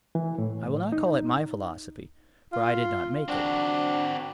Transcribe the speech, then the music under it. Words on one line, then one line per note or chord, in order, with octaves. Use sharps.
I will not call it my philosophy; for I did not make it.
E3
A2
D#4
F4
C4 D4 F#4